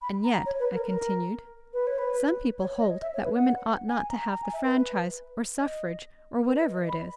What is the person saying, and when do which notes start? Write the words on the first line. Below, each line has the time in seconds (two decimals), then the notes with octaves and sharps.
And yet," I continued, "some people hold that women ought not to have the franchise, or suffrage, or whatever it is!
0.02 B5
0.24 A#5
0.46 C#5
0.60 B4
0.74 A#4
0.88 A#4
1.73 B4
1.87 C#5
1.98 B4
2.59 C#5
2.77 C#5
2.81 D#5
3.02 E5
3.14 C#5
3.24 B4
3.35 F#5
3.88 G#5
4.10 A#5
4.31 A#5
4.42 G#5
4.53 E5
4.63 B4
5.60 D#5
6.46 B4
6.60 D#5
6.74 D#5
6.88 B5